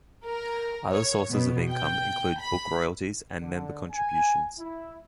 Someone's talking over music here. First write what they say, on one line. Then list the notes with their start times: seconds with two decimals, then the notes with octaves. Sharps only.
Other sources of income include book royalties and member contributions.
0.25 A#4
0.91 C#5
1.31 B2
1.70 G5
2.39 B5
3.41 D3
3.91 G#5
4.59 E4